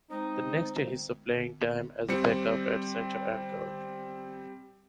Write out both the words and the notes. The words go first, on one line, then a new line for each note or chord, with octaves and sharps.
The next year, he saw playing time as a backup at center and guard.
G#3 C4 D#4
G3 C4 C#7